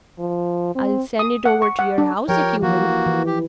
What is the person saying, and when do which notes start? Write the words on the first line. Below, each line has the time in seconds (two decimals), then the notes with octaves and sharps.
I'll send it over to your house if you will.'
0.19 F3
0.75 C4
1.19 D#6
1.45 F#5
1.62 C#6
1.79 F#5
1.98 D4
2.29 F3 G4 A#4 C#5 G5
2.63 E3 A#3 F#4
3.06 E3
3.26 G4